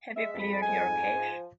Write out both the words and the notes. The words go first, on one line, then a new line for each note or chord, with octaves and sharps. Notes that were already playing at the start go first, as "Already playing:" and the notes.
Have you cleared your cache?
G#3 E5
F2
B5
G#3
G#5
F2
G#2
G#2
F3